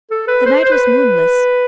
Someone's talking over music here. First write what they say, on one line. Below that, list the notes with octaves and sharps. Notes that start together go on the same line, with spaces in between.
The night was moonless.
A4
B4
C5
C5
B4